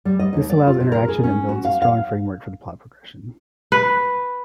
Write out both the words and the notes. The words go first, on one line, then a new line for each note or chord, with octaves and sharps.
This allows interaction and builds a strong framework for the plot progression.
G3
D#5
D#2
D5
F4
C3
A#4
G#4
C#4
F#4
F5
F5
B4